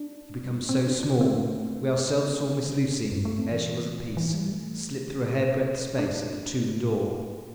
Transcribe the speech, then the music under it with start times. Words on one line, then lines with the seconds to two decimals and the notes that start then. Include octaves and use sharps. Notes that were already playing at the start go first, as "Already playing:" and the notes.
He become so small--we ourselves saw Miss Lucy, ere she was at peace, slip through a hairbreadth space at the tomb door.
Already playing: D4
0.44 G3
0.52 A3
0.69 C4
0.86 D4
1.03 D4
1.21 C4
1.38 A3
2.42 C4
2.51 A3
2.59 G3
3.12 G2
3.25 A3
3.39 C4
3.51 E3
4.17 E3
4.34 G3
4.51 A3
5.99 D4